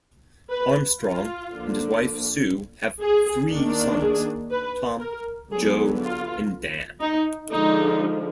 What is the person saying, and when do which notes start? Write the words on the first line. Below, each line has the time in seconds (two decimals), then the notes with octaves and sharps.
Armstrong and his wife, Sue, have three sons: Tom, Joe, and Dan.
0.50 B4
1.01 F4
1.51 D3 F3 A#3 D4
3.01 G#4
3.51 D#3 A#3 D4
4.01 G#4
4.51 B4
5.01 A#4
5.51 D3 F#3 B3 G#4
6.01 F4
7.01 D#4
7.51 D3 F3 G#3 D#4